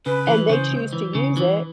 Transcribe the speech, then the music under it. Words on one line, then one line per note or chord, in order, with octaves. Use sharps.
and they choose to use it,
C#3 B4
E3
C#3 C5
C#2
E3
C#3
E3